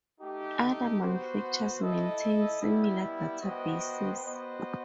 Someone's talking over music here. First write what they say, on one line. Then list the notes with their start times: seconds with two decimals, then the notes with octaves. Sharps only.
Other manufacturers maintain similar databases.
0.20 A3 D#4 G4
1.00 B3 F#4 C5
1.80 E4 A4 D#5
2.60 G3 B3 E4
3.40 B3 F#4 C5 D#5 G5
4.21 B3 F#4 C5 D#5